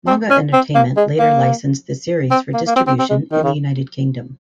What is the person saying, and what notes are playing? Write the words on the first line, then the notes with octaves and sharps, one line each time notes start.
Manga Entertainment later licensed the series for distribution in the United Kingdom.
C4
C#4
C4
A#3
G#3
A#3
C4
A#3
A#3
C4
C4
C4
G#3
D#3
C#3